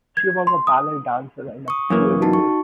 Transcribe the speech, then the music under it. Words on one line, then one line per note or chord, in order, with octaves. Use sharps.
She was a ballet dancer and a cheerleader.
G#6
C6
D#6
C#6 D#6
F#2 E3 A#3
D#4 F#4 A5
C#6